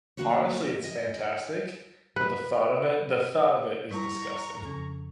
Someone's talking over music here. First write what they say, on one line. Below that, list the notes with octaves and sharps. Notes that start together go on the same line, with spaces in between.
honestly, it's fantastic, but the thought of it the thought of it is disgusting.
D2 D3 A#3 F#4 B4 C#5
D#5 E5 G#5
B4
G3 E4 B4 A#5 C#6
F2 C#3 C#4 A4